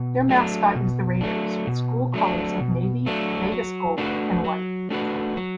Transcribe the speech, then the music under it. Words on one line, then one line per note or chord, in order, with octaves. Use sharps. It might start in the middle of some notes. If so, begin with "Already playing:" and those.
Their mascot is the Raiders, with school colors of navy, vegas gold, and white.
Already playing: B2
F#3 A3 D4
B2
F#3 A3 D4
B2
F#3 A3 D4
B2
F#3 A3 D4
F#3
A3 D4 F#4 B4
F#3
A3 D4 F#4 B4
F#3